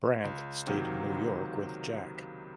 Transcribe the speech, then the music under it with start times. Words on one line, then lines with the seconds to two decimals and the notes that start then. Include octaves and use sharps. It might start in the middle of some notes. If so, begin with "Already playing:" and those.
Brandt stayed in New York with Jack.
0.24 C#2
0.67 C3 D#3 F#3 A#3
1.10 C#2